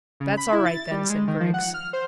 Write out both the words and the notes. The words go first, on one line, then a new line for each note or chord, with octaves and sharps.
"That's all right, then," said Griggs.
C#3
B5
E4
A6
G3
G#3
D#3
F3
F#5
F6
C5